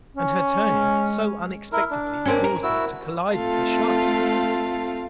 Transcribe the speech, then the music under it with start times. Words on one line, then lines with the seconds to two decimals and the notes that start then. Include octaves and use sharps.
And her turning so unexpectedly caused me to collide with her sharply.
0.17 C#4
0.67 G#3
1.72 E4 A#4
1.91 D4
2.25 A#3 C4 C#4
2.44 A#4
2.63 E4 F#4 E6
3.34 A3 C4 F4 A4 F5